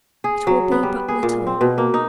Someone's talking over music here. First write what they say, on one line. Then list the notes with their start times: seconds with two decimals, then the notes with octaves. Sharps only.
It will be but little.'
0.24 G#4
0.47 F#3
0.72 B3
0.83 G3
1.08 G#4
1.23 A#2
1.47 C4
1.61 B2
1.78 A#3
1.94 D#4